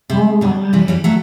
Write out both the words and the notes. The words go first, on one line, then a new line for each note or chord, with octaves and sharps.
Oh my.
C3
B2 D3
C3 E3
E3 G3
F#3 A3